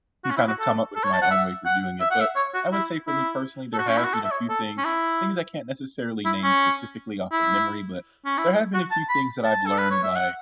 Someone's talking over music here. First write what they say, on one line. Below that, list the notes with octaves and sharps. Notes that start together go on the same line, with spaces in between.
and kind of come up with my own way for doing it. But I would say for me personally, there have been a few things things I can't necessarily name specifically off of memory, but there have been a few things that I've learned by,
F#4
C#4
E4
F#4
A4
A4
C#5
A5
F#5
E5
F#5
E5
F#5
E5
C#5
F#4
E4
E4
A4
F#4
C#4
E4
F#4
A4
E5
C#5
A4
C#4
E4
E4
C#4
E4
C#4
E4
F#4
A5
B5
A5
A4
B4
C#5
E5
F#5